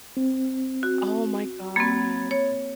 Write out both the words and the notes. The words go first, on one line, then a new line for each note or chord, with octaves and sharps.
Oh my god.
C4
F#4
A#3 C4 B5 G#6 A6
C#5